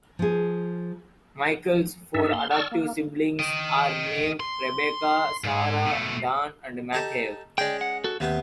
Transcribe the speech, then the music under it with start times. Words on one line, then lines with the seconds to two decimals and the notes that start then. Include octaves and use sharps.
Michael's four adoptive siblings are named Rebecca, Sara, Dan, and Matthew.
0.19 F3 G#4
2.14 G2 D4 A4 E5
2.33 A#3 C6
2.51 D5 A5 C#6 E6 F6
2.71 A#3
3.40 D#5 G5
4.40 C6
5.44 G#2 G#3
5.85 B2 A3
6.93 D#4 G4 A4
7.58 G#3 C#4 G#4 D5 G5
7.81 F#5
8.04 F#4 A4
8.20 D#2 C3 B3 G4